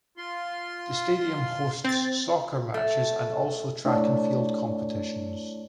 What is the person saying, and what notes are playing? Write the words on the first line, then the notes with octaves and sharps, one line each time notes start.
The stadium hosts soccer matches and also track and field competitions.
F4 C6
C4 A6
A3
A3 D4 E4 C#5 D5 A5